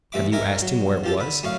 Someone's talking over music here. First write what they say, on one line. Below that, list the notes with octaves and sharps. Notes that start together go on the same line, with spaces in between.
Have you asked him where it was?
A1 G2 E5 D6
G#2 A#4 E5 G#5 D6
F#3
F3 G4 A4
D3 B5
F#2 A2 C#5 F5